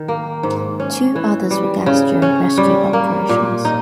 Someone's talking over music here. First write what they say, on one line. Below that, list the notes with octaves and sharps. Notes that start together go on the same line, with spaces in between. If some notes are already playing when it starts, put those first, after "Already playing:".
Two others were gassed during rescue operations.
Already playing: D#3
A#3
G#2
C#4
E3
G3
C#3
C#4
G3
A#3
A#2
D#4